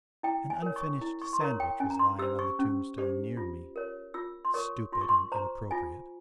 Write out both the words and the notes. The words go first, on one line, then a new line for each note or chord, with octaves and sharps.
An unfinished sandwich was lying on the tombstone near me; stupid and inappropriate.
E4 G5
G#5
A#4 C#5
C#6
E4
C#6
C6
A#4 C#5 A#5
G5
C#4 G#5
A#5
C6
G4 C5 E6
C#6
C#4
G4 C5
F4
A#4 C#5
F4 E6
C6
A#4 C#5 C#6
F4 C6
C#6
C6
C5 A#5
F4 G#5